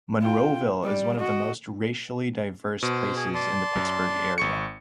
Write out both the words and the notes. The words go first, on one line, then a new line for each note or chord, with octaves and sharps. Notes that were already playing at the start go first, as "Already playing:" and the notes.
Monroeville is one of the most racially diverse places in the Pittsburgh area.
F4 G5
G3 D5
F#4 D#5
B2 C5
G#4
D5 A5 C6
F#2
G#1 C#6 C#7